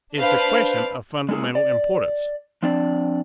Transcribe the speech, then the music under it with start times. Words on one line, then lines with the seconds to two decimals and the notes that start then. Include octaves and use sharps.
Is the question of fundamental importance?
0.16 D4 B4 C5 F5
1.29 G#3 A#3 C#4 E4 G#4
1.55 D5
2.63 F3 C4 D4 D5